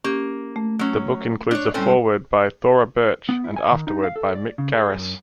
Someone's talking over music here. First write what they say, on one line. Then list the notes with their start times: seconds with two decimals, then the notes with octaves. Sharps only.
The book includes a foreword by Thora Birch and afterword by Mick Garris.
0.04 A#3 C#4 G4
0.56 A3
0.79 F#3 C#4
1.51 D4 C#5
1.74 A2 G3 C4 C#4 A4
3.29 B3
3.44 E4
3.56 G#5
3.71 D#3
3.87 D#4
4.04 F5
4.16 A4
4.35 D5
4.58 C#3
4.73 G#4
4.94 F#2